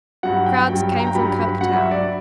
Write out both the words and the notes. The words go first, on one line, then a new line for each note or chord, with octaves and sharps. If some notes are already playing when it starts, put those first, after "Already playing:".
Crowds came from Coketown.
G2 F#3 F#5
G5
G2 F#3 G5
G5
A#5
G5
G2 F#3 B5
B5
G2 F#3 F#5
E5
D5